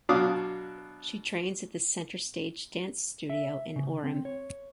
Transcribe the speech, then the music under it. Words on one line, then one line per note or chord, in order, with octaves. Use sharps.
She trains at the Center Stage dance studio in Orem.
B2 F#3 D4 F5 D6 D#6
E5
C#3
C4
C#5